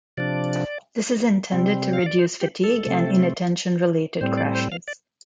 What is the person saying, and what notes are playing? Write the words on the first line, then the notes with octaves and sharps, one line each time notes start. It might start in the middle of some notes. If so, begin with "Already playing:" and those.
This is intended to reduce fatigue and inattention-related crashes.
C3 F3 D4 D5
C3 G3 C4
F5
D5
C5
G4
A4
C3 A3 C4
A2 G3 C4 C5
D5
C5
F5
D5